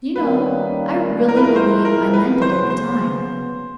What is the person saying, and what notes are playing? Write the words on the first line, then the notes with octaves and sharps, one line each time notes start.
Do you know, I really believe I meant it at the time!
D#3 G3 A#3 C#4 B4
C3 F3 G#3 C4 E4 A#4
B4
A#4
C5
A#4
B4
C#3 F#3 B3 C5
C5